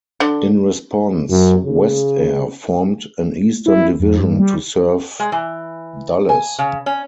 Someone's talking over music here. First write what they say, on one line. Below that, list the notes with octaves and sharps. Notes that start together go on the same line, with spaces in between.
In response, WestAir formed an eastern division to serve Dulles.
D3
F#2
C#3
E4
F2
G2
G3
G#3
E3
G#5
C#3
C#4